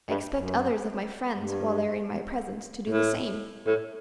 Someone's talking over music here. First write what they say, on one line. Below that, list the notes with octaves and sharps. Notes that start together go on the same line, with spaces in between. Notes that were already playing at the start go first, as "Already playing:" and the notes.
I expect others of my friends, while they are in my presence, to do the same.
G2
F#2
G2
A2
A2